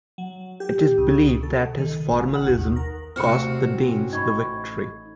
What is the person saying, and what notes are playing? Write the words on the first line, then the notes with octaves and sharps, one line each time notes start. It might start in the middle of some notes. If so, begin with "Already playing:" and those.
It is believed that his formalism cost the Danes the victory.
F#3
G4
C#2
A4
D#3
A1
F#5
D#2
A#4
C3 A3 C4 F#4 F6 C#7
G2 C#4
A1 D#4 B5 C#6 G#6